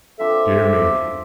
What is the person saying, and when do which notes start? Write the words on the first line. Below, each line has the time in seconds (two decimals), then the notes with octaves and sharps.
Dear me!
0.20 C4 D4 F4 A4 E5
0.64 C5 D6